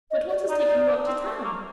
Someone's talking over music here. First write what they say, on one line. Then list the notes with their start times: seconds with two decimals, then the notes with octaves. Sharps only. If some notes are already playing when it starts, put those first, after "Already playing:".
But what is taking you up to town?
0.11 D#5
0.29 D5
0.49 D#4 D5
0.68 D#4
0.88 D4
1.06 C4
1.26 A3
1.44 A#3